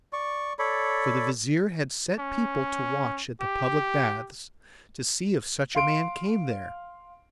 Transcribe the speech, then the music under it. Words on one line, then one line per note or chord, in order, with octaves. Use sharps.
So the Vizir had set people to watch at the public baths, to see if such a man came there.
D5 C#6
A4 C#5 D5 B5
C#4
G4
F5 C6 D7